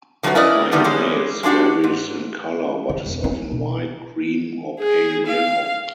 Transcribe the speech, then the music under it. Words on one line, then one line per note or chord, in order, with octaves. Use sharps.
Mayonnaise varies in color, but is often white, cream, or pale yellow.
D3 F#3 A3 C#4 F#4 B4
C#4 E4 A#4 B4 D5 D#5
A2 D3 D#3 G3 A3 B3
G3 G#3 C#4
G#3 A3 D4 F#4 G4
G#2
D#3
E1
C#4
B2
G#4
F5